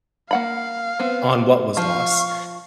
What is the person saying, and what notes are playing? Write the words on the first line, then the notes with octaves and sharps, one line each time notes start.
on what was lost,
A#3 F5 F#5 B5
B3 C4
F3 F5 C#6